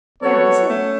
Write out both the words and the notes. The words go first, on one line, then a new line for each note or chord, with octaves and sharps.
'Where is it?
F#3 B3 F#4 A4 C#5
A3 C#4